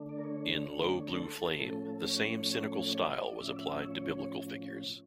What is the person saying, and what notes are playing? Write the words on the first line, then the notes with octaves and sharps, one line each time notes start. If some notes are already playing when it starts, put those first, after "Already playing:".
In "Low Blue Flame", the same cynical style was applied to biblical figures.
Already playing: D3 A3 D4
D5
A#4
C#5
C#5
A#4
A4
A2 F3 A3 C#4 A4
C#5
D5
A2 F3 C#4 E5
D5
E5
C#5